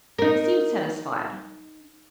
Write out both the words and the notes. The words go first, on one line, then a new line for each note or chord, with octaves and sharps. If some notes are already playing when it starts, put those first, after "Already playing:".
He seemed satisfied.
D#4 A#4